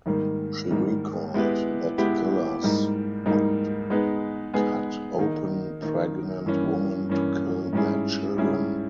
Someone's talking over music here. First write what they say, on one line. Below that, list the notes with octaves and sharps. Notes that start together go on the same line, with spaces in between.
She recalled that the killers would cut open pregnant women to kill their children.
G#2 D#3 G3 A#3
G#2 D#3 G3 A#3
G#3 B3 E4 G4 B4
G#3 B3 E4 G4 B4
G#2 G3 A#3 D#4
G#2 G3 A#3 D#4
G#3 B3 D#4 G#4 B4
G#3 B3 D#4 G#4 B4
D#3 A#3 D#4
D#3 A#3 D#4
G2 E3 A#3 C#4
G2 E3 A#3 C#4
G#2 G3 C#4 E4 G#4
G#2 G3 C#4 E4 G#4